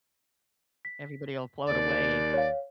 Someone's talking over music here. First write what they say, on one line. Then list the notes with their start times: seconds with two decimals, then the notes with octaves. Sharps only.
Everybody'll float away.
0.85 B6
1.66 D#2 D5
2.34 C#5 F5